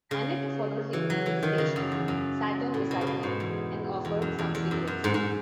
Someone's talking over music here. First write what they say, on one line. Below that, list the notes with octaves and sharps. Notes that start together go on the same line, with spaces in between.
Annett followed him to the station, sat down beside him, and offered some cigarettes.
C#3
E3
F#3
E3
D#3
C#3
F#2
E2
F#2
A2
B2
C#3
B2
G#2
E2
E2
F#2
E2
E2
F#2
F#2
G#2
G#2